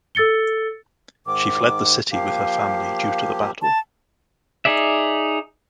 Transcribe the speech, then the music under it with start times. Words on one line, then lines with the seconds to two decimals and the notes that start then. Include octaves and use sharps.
She fled the city with her family due to the battle.
0.15 A4 E6 A6 C#7 G7
1.27 G#2 D#3 D6
2.12 F3 A#3 G4 F5
3.62 A5
4.65 D#4 G#4 D5 E5